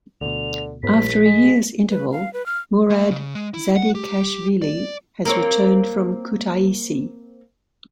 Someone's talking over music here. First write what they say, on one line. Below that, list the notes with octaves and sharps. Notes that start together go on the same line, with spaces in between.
After a year's interval Murad Zadikashvili has returned from Kutaisi.
D2 B2 D3 F7
C2 G#2 B3 B6
A#1
G#3
B4
F5
B4
F6
A3
C#3
G#3
E4
F#5
G4
D5
A#3 C4 C#5